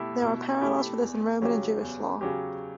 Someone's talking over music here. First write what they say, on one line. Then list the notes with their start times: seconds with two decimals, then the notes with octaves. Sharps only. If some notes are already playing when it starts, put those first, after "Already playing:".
There are parallels for this in Roman and Jewish law.
Already playing: B2 A3 E4 G4
0.22 B2
0.61 A3 E4 G4
1.01 E2
1.41 C#3 F#3 C#4 G4
1.81 E2
2.21 C#3 F#3 C#4 G4